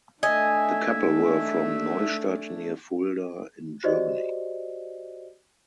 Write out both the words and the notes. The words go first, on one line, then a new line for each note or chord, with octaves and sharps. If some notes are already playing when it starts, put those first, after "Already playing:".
The couple were from Neustadt near Fulda in Germany.
A3 D4 D#5 E5 G#5
F#4 G4 C5 D5 D#5